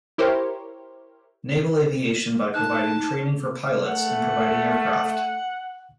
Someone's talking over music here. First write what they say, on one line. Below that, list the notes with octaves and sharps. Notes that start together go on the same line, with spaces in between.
Naval Aviation by providing training for pilots and providing aircraft.
E4 G4 A#4 C5 C#5
D#4 A5 F#6
A3 F#5